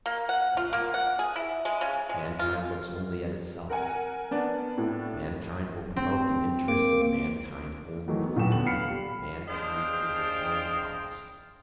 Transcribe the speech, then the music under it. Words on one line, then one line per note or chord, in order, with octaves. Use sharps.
No, mankind looks only at itself, mankind will promote the interests of mankind only, mankind is its own cause.
A#3
F#5
F4
A#3
F#5
G#4
E4
G#3
C#3
G#3
F4
A#4 F#5 G#5
B3 D4 D5
A2
C4
A#3 D6
D#3 E3 F#3 A3
B3
D#1 F#3 F#4 B4 G5 E7
D3 B3 F#7
F5 B5 F6 C7 C#7
G3
D4 G#4 C5 D#5 F5 G5